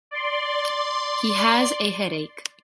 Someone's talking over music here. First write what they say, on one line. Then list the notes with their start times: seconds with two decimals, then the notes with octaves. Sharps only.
He has a headache.
0.11 D5 C6